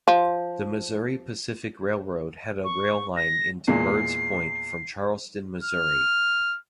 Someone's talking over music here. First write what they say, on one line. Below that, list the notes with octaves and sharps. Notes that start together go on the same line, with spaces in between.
The Missouri Pacific Railroad had a rail line into Birds Point from Charleston, Missouri.
F3
C#6
A#6
E2 A#2 G#3 C7
F6